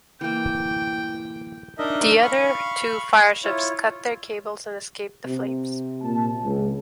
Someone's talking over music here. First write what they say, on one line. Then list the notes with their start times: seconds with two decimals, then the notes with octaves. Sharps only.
The other two fireships cut their cables and escaped the flames.
0.21 E3 A#3 G5
1.78 D4 D#4 A#4 D#5 E5
2.22 F5 B5 C#6
3.44 E4 F4 C#5
5.25 C3
6.03 A#2 A5
6.44 C#2